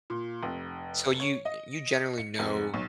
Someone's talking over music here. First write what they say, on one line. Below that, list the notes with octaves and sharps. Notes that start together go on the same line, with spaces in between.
So, you y you generally know
A#2
F1
C#5
D#5
C#7
F1
B1